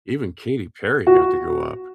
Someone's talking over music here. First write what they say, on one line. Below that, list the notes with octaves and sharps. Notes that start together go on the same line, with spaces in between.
Even Katy Perry got to go up,
F#4